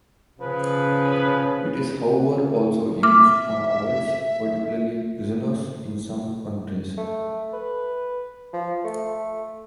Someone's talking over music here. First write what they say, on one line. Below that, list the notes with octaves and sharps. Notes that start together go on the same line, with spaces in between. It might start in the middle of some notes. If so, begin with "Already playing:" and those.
It is however also used on adults, particularly prisoners in some countries.
C#3 F3 G#4 B4
E5 D6 F6
A3
B4
F3
A3